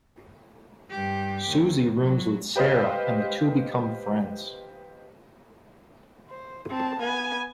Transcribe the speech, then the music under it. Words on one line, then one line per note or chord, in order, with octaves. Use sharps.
Suzy rooms with Sara, and the two become friends.
G2 G4
D#2
F#3
G4 B4 C5 D#5 F5
C5
C4 A5
B3 G#5